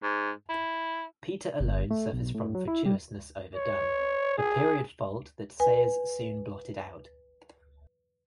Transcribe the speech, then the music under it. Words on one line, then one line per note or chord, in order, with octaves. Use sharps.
Peter alone suffers from fatuousness overdone, a period fault that Sayers soon blotted out.
G#2
E4
G1
A3
B1
A2
F#3
E4
G3
C#5
G#4
B4 G#5